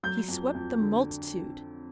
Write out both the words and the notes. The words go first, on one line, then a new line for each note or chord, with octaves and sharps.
He swept the multitude.
F#3 G6
F2
F2
D3